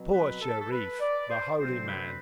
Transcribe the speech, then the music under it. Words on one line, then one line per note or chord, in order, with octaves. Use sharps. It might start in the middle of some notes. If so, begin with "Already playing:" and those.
Poor Shereef!—the holy man!
Already playing: B2 F#3 C4
B4
A4
A4
B4
D5
C5
D2 C3 F#3 C4 C5
B4